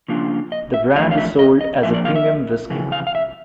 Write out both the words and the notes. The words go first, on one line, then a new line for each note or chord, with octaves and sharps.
The brand is sold as a premium whisky.
C#3 F3 A#3 D4 F4
D#5
E5
A2 F3 A3 D4 F4 F5
F5
E5
D#5
D#5
A#2 F3 A#3 E5
D5
F5
E5
F2 C#3 E3
F5
F5
E5